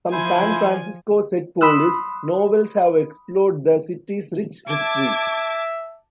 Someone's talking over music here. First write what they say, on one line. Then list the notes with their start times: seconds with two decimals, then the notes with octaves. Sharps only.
Some San Francisco-set police novels have explored The City's rich history.
0.12 F3 E4 C5 G#5
1.61 B5 C6 D#6 E6 F#6
4.67 E5 A5 D6 G#6